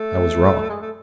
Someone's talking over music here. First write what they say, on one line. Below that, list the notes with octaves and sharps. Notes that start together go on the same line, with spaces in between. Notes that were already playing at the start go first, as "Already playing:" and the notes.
I was wrong.
Already playing: A3
G#3
A3